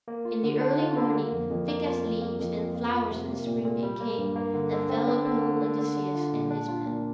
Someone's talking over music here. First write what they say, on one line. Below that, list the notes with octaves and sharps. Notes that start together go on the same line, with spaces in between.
In the early morning, thick as leaves and flowers in the spring they came, and fell upon Odysseus and his men.
A#3
F4
D3
D4
F4
D3
A#3
F2
F2
A#3
F4
F2
A#3
F2
F2
A#3
F4
C3
A#3
A#2
A#2
G3
A#3
G2
A#3
D3
D3
C4
D3
D3
A#3
D3
D3
D4
F4
A#2
D4
F4
A#2